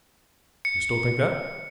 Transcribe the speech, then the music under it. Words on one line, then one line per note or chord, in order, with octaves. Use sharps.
You still think that?
C#7